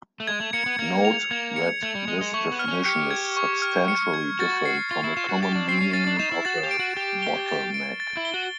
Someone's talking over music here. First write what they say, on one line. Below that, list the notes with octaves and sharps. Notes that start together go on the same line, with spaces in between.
Note that this definition is substantially different from a common meaning of a "bottleneck".
A3
G#3 G#6
A3
A#3 C#7
B3
A#3 G#6
F7
A#3 G#6
C#7
A3 G#6
G3
G#3 F7
G#3
A3 C#6
B3
F6
C#4
G4 C#7
G#6
C#6
F6
C#7
G#6
F#4 A6
C7
F4 A6
E4
F4 E7
F#4
G4 A6
D4
C4 C7
C#4
C#4 A6
D4
D#4 E7
E4
F#4 A6
G4
D7
F#4
G4 A6
G7
A6
D7
A6
E4
G7
F#4